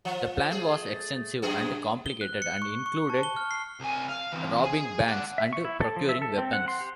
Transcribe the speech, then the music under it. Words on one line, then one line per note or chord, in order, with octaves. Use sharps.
The plan was extensive and complicated and included robbing banks and procuring weapons.
F3
A3 G#4
F#2 A3 G#4
G7
F#6
C#7
C#6
C#6
A5
G7
F6
C7
C2 G#5
F5
E3 C4
G#4
D5 F#5
E5
C#6
E4
A4
F3
E5
A4
C4
F#5
C6
G4